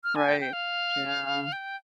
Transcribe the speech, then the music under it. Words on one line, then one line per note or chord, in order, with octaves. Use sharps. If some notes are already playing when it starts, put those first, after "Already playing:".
Right. Yeah.
F6
G#5
G5
G5
F5
G5